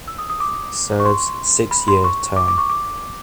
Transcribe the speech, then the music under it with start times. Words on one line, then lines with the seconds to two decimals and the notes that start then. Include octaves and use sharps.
Serves six year term.
0.08 E6
0.18 D#6
0.30 D#6
0.40 D6
1.00 C#6
1.05 C6
1.71 B5
1.88 C6
2.04 C#6
2.36 D6
2.48 D6
2.58 C#6
2.70 D6